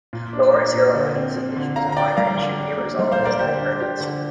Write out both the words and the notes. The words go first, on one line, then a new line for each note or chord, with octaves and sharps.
Low or zero urgency issues are minor and should be resolved as time permits.
A#2
D4
A#3
A#2
D3
C4
F3
D3
D3 F5 A#5
A#5
D4 D5 G5
G3 F5 A#5
D3
D4
A#3
G3
C5 F5
A#2
A#4 D5
D3 G4 C5
D4
F3 G4
D3